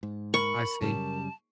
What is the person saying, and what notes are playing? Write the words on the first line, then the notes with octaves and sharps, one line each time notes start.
I see.
G#2
A#4 B5 C#6
F#2 C#3 G3 A5